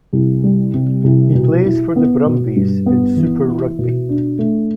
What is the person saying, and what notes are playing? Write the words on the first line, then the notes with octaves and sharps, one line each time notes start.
He plays for the Brumbies in Super Rugby.
C2
G3
C3
C2
B2
E4
B3
B2
G2
B3
E3
E4
B2
D4
A3